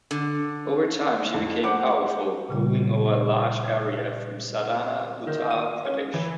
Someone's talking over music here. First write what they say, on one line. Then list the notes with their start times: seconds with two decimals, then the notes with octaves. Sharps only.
Over time, she became powerful, ruling over a large area from Sardhana, Uttar Pradesh.
0.11 D3
1.34 F2
1.63 C5 F#5 D6
2.49 A#2 C#3 G3
5.27 D#3
5.51 D#7
5.85 C#4
6.14 E3